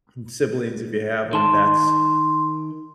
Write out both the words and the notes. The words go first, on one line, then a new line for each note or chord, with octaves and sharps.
and siblings, if you have 'em, that's
D#3 A5 C6